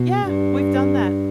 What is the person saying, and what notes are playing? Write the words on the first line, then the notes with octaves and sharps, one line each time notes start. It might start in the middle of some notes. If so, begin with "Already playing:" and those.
Yeah, we've done that.
Already playing: B2
G2